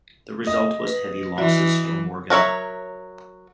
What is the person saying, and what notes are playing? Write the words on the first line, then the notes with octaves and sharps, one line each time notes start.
The result was heavy losses for Morgan.
D#5
B4
E3 F#4 D5 E5
F#3 A#4 C#5 E5